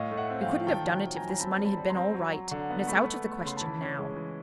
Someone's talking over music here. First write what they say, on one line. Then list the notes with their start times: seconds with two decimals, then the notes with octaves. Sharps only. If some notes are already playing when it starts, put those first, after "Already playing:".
You couldn't have done it if this money had been all right, and it's out of the question now.
Already playing: A2 D#5 F5
0.11 A3
0.17 E5 F#5
0.30 C4
0.42 F5 G5
0.48 F3
0.67 D#3 G5 A5
0.85 F#3
1.04 D#3
1.16 G#5 A#5
1.22 F#3
1.29 A#5
1.40 C4 A5 B5
1.59 G3
1.65 A5 B5
1.77 G3
1.90 A#5 C6
1.96 C4
2.14 F#3
2.33 F#3
2.51 D3
2.70 B3
2.87 A3 B5 C#6
3.07 A3
3.24 A3
3.37 B5
3.43 C#3 C6
3.57 E3 A5 B5
3.80 C#4
3.99 G#3
4.16 E3